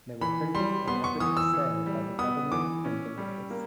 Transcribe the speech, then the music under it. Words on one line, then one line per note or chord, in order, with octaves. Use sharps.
They were printed and offered for sale by the Government Printing Office.
E3 B5
G3 C6
B3 C6
C#6
E3 D#6
E6
E3
G3
B3 D#6
E3 D6
C#4
G3
A#3